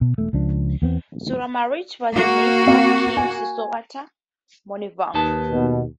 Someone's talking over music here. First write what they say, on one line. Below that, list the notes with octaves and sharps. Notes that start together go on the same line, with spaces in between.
Suramarit was a nephew of King Sisowath Monivong.
B2
E1 A3
C#2 F3 D4
E2 B3 C4
A#3 F#4
C4 F5
G#5
D#2 D#4 B4 A5
B2